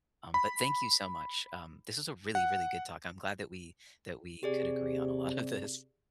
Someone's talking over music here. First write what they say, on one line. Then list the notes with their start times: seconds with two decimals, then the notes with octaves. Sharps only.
Um, but thank you so much. Um, this is a really, really good talk. I'm glad that we that we could agree on a lot of this.
0.34 B5
2.35 F#5
4.43 C3 G4 G#4 D5